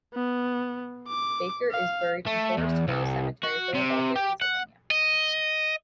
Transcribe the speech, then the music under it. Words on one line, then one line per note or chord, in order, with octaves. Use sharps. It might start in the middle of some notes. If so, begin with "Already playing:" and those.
Baker is buried in Forest Hills Cemetery, Philadelphia, Pennsylvania.
B3
D6
F5
A3
E2
C2
F#4
C3
G4
F#5
D#5